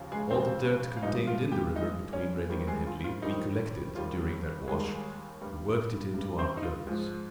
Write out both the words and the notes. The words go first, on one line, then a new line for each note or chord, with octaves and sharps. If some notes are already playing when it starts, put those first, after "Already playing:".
All the dirt contained in the river between Reading and Henley, we collected, during that wash, and worked it into our clothes.
Already playing: D#2 C#3 F3
G#3 G#4
D#2 C#3 F3 G#3 C4 C5
F5
G2 F3 G#3 D#4 D#5
F4 F5
G4 G5
G2 F3 G#3 D#4 D#5
C#4 C#5
F2 D#3 G3
G#3 G#4
F4
F4
F2 D#3 G3 D#4
D#2 D#3 G3 F4
D#2 D#3 G3 G#3 G#4
G2 G3
G2 G3
C4 C5
D#4
F4
G#2 F3 G#3